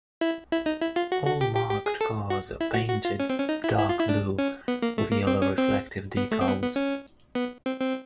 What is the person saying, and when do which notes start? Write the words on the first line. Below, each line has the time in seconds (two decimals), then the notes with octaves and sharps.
All marked cars are painted dark blue with yellow reflective decals.
0.21 E4
0.52 E4
0.66 D#4
0.81 E4
0.96 F4
1.12 F#4
1.27 F#4
1.41 G4
1.56 G4
1.71 G4
1.86 G#4
2.01 A4
2.30 F#4
2.61 E4
2.74 F#4
2.89 F#4
3.05 F4
3.20 C#4
3.30 C4
3.39 C#4
3.49 D#4
3.64 E4
3.79 E4
3.89 F4
3.99 E4
4.09 D4
4.39 C#4
4.68 B3
4.82 A#3
4.98 A3
5.12 A#3
5.27 C4
5.42 C#4
5.58 C4
6.17 B3
6.31 A3
6.41 C4
6.47 B3
6.62 B3
6.76 C#4
7.35 B3
7.66 C4
7.80 C4